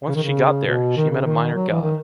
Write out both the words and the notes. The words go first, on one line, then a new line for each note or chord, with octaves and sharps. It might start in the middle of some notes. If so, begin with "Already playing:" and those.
Once she got there, she met a minor god.
C#3
D#3
C#3
B2
D#3
C#3
D#3
F#3
E3
D#3